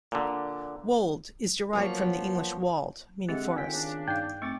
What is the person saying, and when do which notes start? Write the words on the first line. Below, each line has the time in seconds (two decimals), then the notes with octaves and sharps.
Wold, is derived from the Old English "Wald" meaning "forest".
0.12 A#2 D3
1.73 F3 F#3 A#3 B3 A#4 C#5
3.29 D3 G#3 C4 G4 D#5 E5 F#5
3.56 A2 D#3 F4 A4 G5 G#5 B6
3.72 C#3 B3 D4
4.08 G2 D#4 D5 F5 G5 G6
4.42 A3 C4 C#6 D6 A6